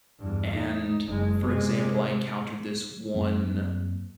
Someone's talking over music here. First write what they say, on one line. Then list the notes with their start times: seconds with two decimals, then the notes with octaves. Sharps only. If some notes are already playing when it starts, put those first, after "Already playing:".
and for example, I encountered this one
0.19 E2 G2
0.54 D#4
1.06 F#1 G#3
1.45 C3 G#3
3.14 F#2 F#3 A#3 C4